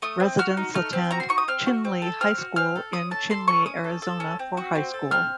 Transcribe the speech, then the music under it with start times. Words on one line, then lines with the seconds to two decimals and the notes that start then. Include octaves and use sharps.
Residents attend Chinle High School in Chinle, Arizona, for high school.
0.02 A3 D#6
0.20 C4
0.39 F#4 F6
0.57 D#4
0.74 A3 F6
0.93 C4
1.11 F#4 A#5
1.20 C6
1.29 D#4 C#6
1.38 D#6
1.48 C4 F6
1.66 F#4
1.85 C4
2.02 A4
2.21 C4 F6
2.38 F#4
2.56 C4 F6
2.76 A4
2.93 C#4 D#6
3.11 A4 A5
3.30 A4 C6
3.48 C#4 C#6
3.66 C#4 D#6
3.84 A4
4.02 A4
4.20 C#4
4.39 C4
4.57 F#4
4.75 C4
4.94 A4
5.11 C4 F6